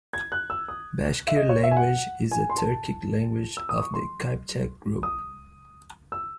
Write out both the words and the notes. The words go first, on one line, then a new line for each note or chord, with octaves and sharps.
Bashkir language is a Turkic language of the Kypchak group.
G#6
F#6
E6
D#6
E5
D#5
C#5
E5
G#5
F#5
G#5
C6
A5
E6
D#6
C#6
C6
D#6
E6